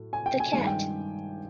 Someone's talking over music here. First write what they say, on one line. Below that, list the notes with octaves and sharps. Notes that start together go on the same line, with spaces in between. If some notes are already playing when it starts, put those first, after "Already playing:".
The Cat.
Already playing: A2 F#3 A3
G#5
G5
G#5
G2 D#3 G#3 G#5
G5